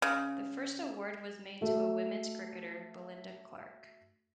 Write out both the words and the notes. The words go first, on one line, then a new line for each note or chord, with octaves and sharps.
The first award was made to a women's cricketer, Belinda Clark.
C#3
A3 F#4